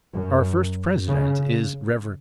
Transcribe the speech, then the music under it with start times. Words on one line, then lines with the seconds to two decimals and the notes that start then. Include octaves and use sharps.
Our first president is Rev.
0.13 F#2
1.08 C#3